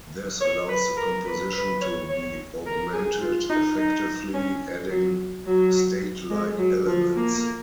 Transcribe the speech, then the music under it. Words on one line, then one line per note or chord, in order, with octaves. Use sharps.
This allows the composition to be augmented, effectively adding state-like elements.
C#5
B4
A#4
B4
B4
C#5
C#5
A#4
G#4
F4
D#4
D#4
C#4
F#3
F#3
G#3
F#3
F3
A#3